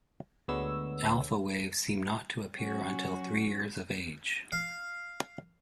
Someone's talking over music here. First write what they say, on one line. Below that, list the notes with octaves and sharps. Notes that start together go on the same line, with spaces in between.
Alpha waves seem not to appear until three years of age.
D2 D3 G#3 B3 C#5 E6
F#3 C#4 F#4
F5